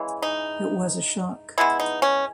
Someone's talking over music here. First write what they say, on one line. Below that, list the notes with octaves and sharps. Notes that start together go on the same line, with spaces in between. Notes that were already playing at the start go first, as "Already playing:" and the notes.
It was a shock.
Already playing: C#3 E3 G#3
D#4
E3 G#3 B3 E4
D#4
C#4